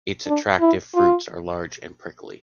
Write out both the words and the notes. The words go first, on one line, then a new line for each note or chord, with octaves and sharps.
Its attractive fruits are large and prickly.
D4
E4
F4